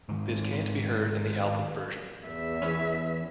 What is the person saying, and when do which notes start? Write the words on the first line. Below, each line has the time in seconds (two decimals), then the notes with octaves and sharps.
This can't be heard in the album version.
0.09 G#2 D#3
2.25 E2 E5
2.62 E3 B3 C#4